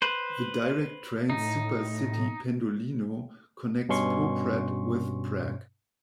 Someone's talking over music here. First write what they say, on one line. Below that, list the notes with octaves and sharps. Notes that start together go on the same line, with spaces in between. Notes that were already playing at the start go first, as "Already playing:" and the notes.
The direct trains SuperCity Pendolino connects Poprad with Prague.
B4 C5
A2 D#4
G2 B2 C#4 C6 C#6